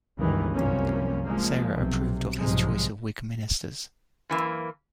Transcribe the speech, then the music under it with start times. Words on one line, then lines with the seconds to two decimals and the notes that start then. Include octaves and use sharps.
Sarah approved of his choice of Whig ministers.
0.18 G1 C#2 G2 D#3 E3
0.54 C2 F#2 C3 F3 A#3 C#4
1.24 F3 G#3 A#3
1.74 B1 C3
2.38 B1 G#2 C3 F3 G#3
4.29 F#2 E3 A#3